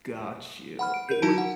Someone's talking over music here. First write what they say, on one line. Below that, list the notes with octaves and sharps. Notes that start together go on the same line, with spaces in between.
Got you, it was
F#5 B5 F6
D7
A#4 G6
F#3 D#4 F#4 A5 A#5 D7
F#5